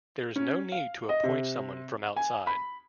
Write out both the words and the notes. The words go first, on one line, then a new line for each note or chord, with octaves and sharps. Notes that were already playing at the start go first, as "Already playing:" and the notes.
There is no need to appoint someone from outside.
C#4
F5
D#5
C3
G#5
B5